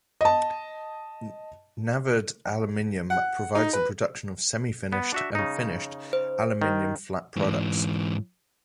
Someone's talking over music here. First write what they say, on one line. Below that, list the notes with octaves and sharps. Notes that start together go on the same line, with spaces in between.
Navard Aluminum provides the production of semi-finished and finished aluminium flat products.
D#5 A5
F#5
D#4
B4
B3
D4 F#4 E5
C#3 D#4
C5
D#3
G#2 E3